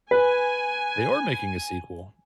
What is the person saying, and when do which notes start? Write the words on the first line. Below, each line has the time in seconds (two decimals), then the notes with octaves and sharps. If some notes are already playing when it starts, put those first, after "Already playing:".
They are making a sequel.
0.11 B4 G#5